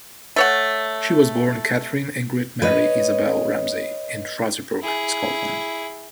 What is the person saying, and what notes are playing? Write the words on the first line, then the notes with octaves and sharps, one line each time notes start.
She was born Katharine Ingrid Mary Isabel Ramsay in Fraserburgh, Scotland.
A3 C#5 F#5
B4 C#5 D#5
E4 G#4